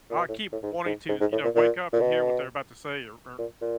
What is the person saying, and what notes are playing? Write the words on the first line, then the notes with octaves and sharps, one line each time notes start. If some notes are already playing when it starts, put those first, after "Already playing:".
I keep wanting to, you know, wake up to hear what they're about to say or or,
A#2
B2
A2
A2
G#2
G#2
G#2
G#2
A2
A#2
A#2
A#2
B2
A#2
A#2